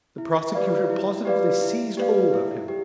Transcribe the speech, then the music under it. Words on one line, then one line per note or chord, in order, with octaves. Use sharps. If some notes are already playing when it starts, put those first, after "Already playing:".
The prosecutor positively seized hold of him.
E4
G4 B4 D5 F5
E4
G4 B4 D5 F5
E4
G4 B4 D5 F5
E4
G4